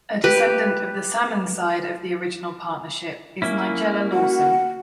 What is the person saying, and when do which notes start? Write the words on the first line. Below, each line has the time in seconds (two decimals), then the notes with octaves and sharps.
A descendant of the Salmon side of the original partnership is Nigella Lawson.
0.24 G4 B4
3.42 A#3 C#4 E4
4.13 F#4 F#5